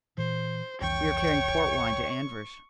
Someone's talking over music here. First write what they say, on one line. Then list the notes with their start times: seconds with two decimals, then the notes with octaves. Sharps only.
"We are carrying port wine to Anvers."
0.18 A#2 E3 C5
0.81 C2 F2 E3 C#5 G5 C#6